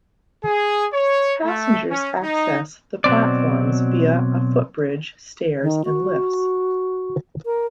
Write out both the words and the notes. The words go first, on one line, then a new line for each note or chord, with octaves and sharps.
Passengers access the platforms via a footbridge, stairs and lifts.
G#4
C#5
A3
C#4
D#4
B2 F#3 C4 D5
D#3
F#4
A#4